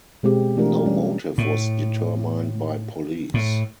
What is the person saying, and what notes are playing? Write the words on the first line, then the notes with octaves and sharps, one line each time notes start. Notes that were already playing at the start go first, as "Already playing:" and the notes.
No motive was determined by police.
B2 G#3 C4 G4
E3 A3 D4 F4 G4 A#4
G3 C#4
A2
A2